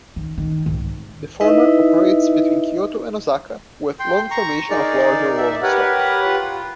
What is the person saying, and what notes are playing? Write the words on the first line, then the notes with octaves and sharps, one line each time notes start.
The former operates between Kyoto and Osaka with long formation of larger rolling stock.
D#3
D#3
C2 G#2
D#4 E4 B4 D#5 E5
G5 C6
A#5 C#6
D#4 G#4 A#4 D5
E5
G4 A#4 B4 C#5 F#5
F4